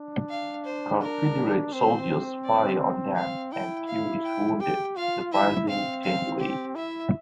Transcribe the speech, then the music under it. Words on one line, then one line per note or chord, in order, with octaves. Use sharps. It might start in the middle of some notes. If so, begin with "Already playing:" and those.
Confederate soldiers fire on them, and Q is wounded - surprising Janeway.
Already playing: D4
F5
C5
A#4
C4 C5
D5
C4 F5
E4 G5
F5
G5
G4 G5
F4 F5
E4 E5
C4 F5
F5
G4
E4 E5